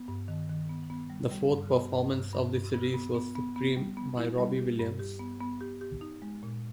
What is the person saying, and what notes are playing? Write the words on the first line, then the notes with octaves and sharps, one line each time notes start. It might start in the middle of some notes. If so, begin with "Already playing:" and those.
The fourth performance of the series was "Supreme" by Robbie Williams.
Already playing: B3
G2
D#3
D#3
B3
B3
G3
G3
G2
B3
G2
G2
G2
G2
B3
B3
B3
B3
B3
G3
B3
E4
G3
G4
G2
G4
B3
B3
G4
G4
D#4
G#3
A#2